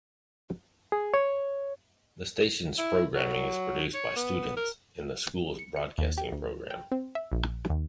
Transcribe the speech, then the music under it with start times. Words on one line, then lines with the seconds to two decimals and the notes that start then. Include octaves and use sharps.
The station's programming is produced by students in the school's Broadcasting program.
0.92 G#4
1.14 C#5
2.78 E4
3.15 F#3
3.94 C#5
4.16 B3
4.57 A#4
5.59 C#7
5.76 C#7
5.98 D#2
6.17 G4
6.32 D2
6.70 G5
6.92 C4
7.15 E5
7.32 A#1
7.70 D#2